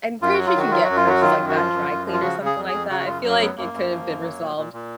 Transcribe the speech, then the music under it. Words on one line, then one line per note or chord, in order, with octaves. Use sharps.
I'm pretty sure you can get purses like that dry cleaned or something like that, I feel, like, it could've been resolved
F#2 F4
F#3 F#4
F4
D#3 F#4
F#3 F4
F#4
F#2
F4
F#3 F#4
D#3 F4
F#2
F#4
F3 F4
F#2
F#2
F3
F4
C#3 F#4
C#3
G#4
F2
F2 G#4
C#3 F#4
F#4
F#2 F4
F#3
A#3
F#2 B3
F#2 A#3
F#2
F3
F#2
F#3
A#2
A#2
A#2